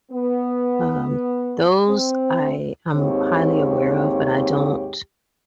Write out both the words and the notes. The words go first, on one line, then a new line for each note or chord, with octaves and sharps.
Um, those I am highly aware of but I don't
B3
C4
D#2 G#2 C4 G4 C#5